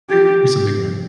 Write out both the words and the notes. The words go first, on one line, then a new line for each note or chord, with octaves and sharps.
the is a big one.
G4